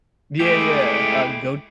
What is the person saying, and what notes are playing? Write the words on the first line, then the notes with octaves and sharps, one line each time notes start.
Yeah, yeah. Uh, Goyte,
G#3 A3 E4 G4